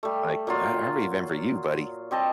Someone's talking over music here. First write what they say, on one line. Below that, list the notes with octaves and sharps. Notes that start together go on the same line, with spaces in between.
like, "I I remember you, buddy."
G3 A3
A#2 F#3 F4
G3 C4 D#5 A5